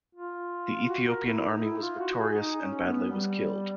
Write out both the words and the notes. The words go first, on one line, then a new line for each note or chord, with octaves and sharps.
The Ethiopian army was victorious, and Badlay was killed.
F4
F#4
A#4
E4
D#4
E4
F4
F#4
G#4
D#4
C#4
B3
G3